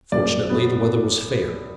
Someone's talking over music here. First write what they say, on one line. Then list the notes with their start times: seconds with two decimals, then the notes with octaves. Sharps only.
Fortunately the weather was fair.
0.12 F#2 D5
0.50 F#3 B3